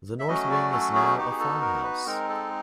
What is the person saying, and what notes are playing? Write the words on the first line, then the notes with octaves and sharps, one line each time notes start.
The north wing is now a farmhouse.
E5
F#3 A3 C#4 F#4 D#5
D5
A4
G#4
B3 D#4 F#4 G4
G#4
A4
A#4
B4
G#3 C4 D#4 A#4
A4